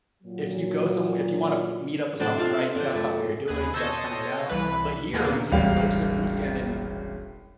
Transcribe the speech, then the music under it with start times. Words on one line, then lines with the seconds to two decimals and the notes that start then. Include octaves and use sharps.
if you go somew if you wanna meet up with someone, right? You gotta stop what you're doing, you gotta plan it out, but here we can just go to their food stand and
0.23 A#2 F#3
2.19 A2 F#3 D4 A4 C5 D#5
2.38 C4 D4 F4 F5
2.76 D3 D4 D5 G5
2.92 F#2 A3
3.48 D#2 G#4 B4
3.74 A4 C5 C#5 D#5
4.49 C2 E3 B4
5.13 D#2 A#2 D3 A#3 B3
5.52 E1 A1 G3 G4 F5